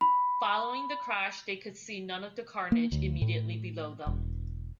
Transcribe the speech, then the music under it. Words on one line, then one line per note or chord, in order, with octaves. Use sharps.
Following the crash, they could see none of the carnage immediately below them.
B5
A#3
D2
A2
E1